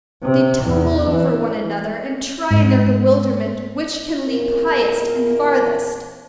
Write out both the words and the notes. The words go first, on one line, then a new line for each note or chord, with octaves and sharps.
They tumble over one another and try in their bewilderment which can leap highest and farthest.
C3
E2
E3
G#2
E2 A#2 E3 A#4